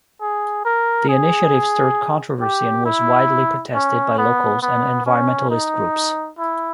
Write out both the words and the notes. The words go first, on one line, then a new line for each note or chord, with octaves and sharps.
The initiative stirred controversy and was widely protested by locals and environmentalist groups.
G#4
A#4
G#4
G4
E4
C#4
B3
B3
C#4
D#4
E4